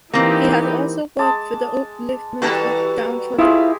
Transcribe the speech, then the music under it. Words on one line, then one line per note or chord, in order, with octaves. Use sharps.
He has also worked for the upliftment of downtrodden.
E3 A#3 C4 D#4 G4
G#3 A5 D6
E3 G3 F#4 A4 B4 A#5
G#3 E4 F4 G4 G#5